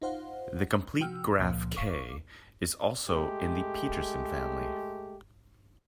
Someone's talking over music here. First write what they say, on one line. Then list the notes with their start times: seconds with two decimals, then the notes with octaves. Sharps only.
The complete graph "K" is also in the Petersen family.
0.02 D#4 F4 C5 F5 F#5
0.99 C3 F3 F#4 G5 E6 F6
1.39 C#2 A#2 F3 A#3
1.76 F5 C#6 D6
3.09 G#3 A3 G4